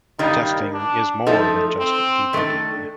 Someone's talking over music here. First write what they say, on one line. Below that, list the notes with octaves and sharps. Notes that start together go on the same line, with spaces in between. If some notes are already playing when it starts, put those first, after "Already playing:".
Testing is more than just debugging.
G2 D#3 G3 A#3 D#4
D4
F3 A3 D#4 A4
C4
D#3 A3 D4 A4